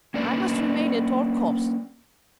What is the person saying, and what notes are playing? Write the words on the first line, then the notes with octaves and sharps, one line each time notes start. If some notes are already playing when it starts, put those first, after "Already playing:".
I must remain at all costs!
A#3 C#4 D4 B4 D5